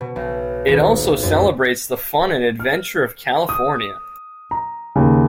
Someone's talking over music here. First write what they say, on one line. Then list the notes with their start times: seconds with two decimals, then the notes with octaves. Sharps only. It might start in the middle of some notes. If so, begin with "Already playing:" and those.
It also celebrates the fun and adventure of California.
0.01 B2
0.16 B1
0.68 D#1
1.23 F#2
2.60 F6
3.49 D#6
4.51 A#5
4.96 D#2 C#3